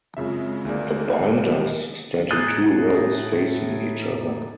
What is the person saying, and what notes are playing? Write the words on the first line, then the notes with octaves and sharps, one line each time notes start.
The binders stand in two rows facing each other.
F#2 C#3 G#3 C4 F4 G#4 E5
D2 A#3 D#4 G#4 D5
D#4 B4 D#5
A2 D#4 G#4 D#5 F#6 A6